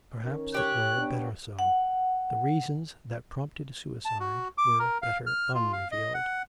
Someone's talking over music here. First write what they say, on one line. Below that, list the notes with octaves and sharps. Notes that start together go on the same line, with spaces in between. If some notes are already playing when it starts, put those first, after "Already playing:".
Perhaps it were better so; the reasons that prompted suicide were better unrevealed....
D#3 C#4 A#4
G4 C#5 F#6
B3 D4
F#5
A5
F#4
D6
A#4
F5
F6
F4
F5
D#5
F#5